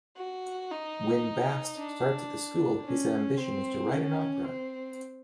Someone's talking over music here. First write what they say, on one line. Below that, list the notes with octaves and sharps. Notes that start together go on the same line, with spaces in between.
When Bast starts at the school his ambition is to write an opera.
F#4
D#4
D4
C#4
C4
C#4
C4